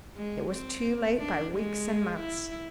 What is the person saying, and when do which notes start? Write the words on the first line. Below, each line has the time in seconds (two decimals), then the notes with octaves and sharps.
It was too late by weeks and months.
0.16 G#3
0.52 C4
1.18 D4
1.55 G#3
2.19 E4